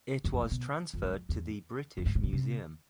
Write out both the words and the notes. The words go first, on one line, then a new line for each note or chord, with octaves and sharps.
It was transferred to the British Museum.
E2
F2
A2
B2
F2
G#2
F2
E2
F2
G#2
A2
B2
C3